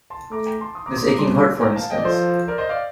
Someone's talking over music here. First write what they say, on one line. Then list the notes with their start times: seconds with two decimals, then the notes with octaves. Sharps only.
This aching heart, for instance.
0.10 A5 C6
0.31 A3 A#5 D6
0.46 G5 A#5
0.61 A5 C6
0.75 C6 D#6
0.86 A#5 D6
0.96 C6 D#6
1.08 A#5 D6
1.18 G3 A5 C6
1.61 G5 A#5
1.76 F5 A5
1.90 D#5 G5
1.97 D5
2.04 F3 A4 C5
2.48 A#4 D5
2.58 C5 D#5
2.69 D5 F5